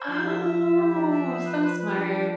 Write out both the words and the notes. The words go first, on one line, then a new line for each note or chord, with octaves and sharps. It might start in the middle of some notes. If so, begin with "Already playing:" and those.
Oh, so smart.
Already playing: C5
F3 D4
E5
E5
E5
G4
D4
E5
C5
B4
B4
B4
D4
D4